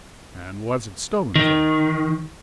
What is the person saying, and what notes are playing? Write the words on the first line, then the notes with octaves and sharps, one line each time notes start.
"And was it stolen from you?"
D#3